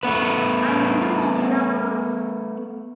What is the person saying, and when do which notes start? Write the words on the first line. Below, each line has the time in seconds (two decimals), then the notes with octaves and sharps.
I knew the formula worked.
0.03 A3 B3 B4